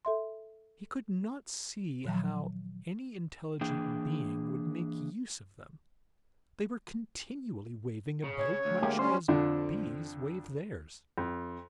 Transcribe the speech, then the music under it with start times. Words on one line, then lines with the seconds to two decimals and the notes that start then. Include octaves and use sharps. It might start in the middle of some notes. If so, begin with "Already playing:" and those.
He could not see how any intelligent being would make use of them; they were continually waving about, much as bees wave theirs.
0.05 A4 E5 C6
2.04 A#2 D#3 F3 F#3
3.61 E3 A#3 D4 G#4 G5
8.24 C#3
8.38 C#5
8.65 D2
8.82 G#3 A#3 G4
8.99 G3 C#4 C5
9.28 F2 D3 F3 D4
11.18 F2